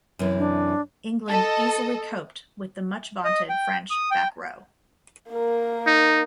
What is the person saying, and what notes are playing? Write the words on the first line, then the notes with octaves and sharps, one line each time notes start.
England easily coped with the much-vaunted French back-row.
F#2 C3 E3
D4
A4 D#5
D#5
G5
D#6
G5
A#3 A#4
D#4